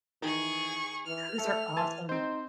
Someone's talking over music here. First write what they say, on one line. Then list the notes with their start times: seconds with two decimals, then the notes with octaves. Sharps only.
Those are awesome.
0.22 D#3 E3 G#4 C#6
1.06 E3 F6
1.38 A3 A4
1.77 E3 G#5 A5 C6
2.09 C4 D#4 C5